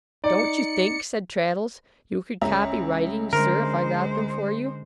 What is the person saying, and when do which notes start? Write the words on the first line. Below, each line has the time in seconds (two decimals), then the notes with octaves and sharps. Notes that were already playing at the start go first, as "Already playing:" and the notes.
'Don't you think,' said Traddles, 'you could copy writings, sir, if I got them for you?'
0.24 D#4 D5 C#7
2.41 C#2 C#4 G#4 C#5 E5 A#5
3.33 D3 G#3 A#4 C5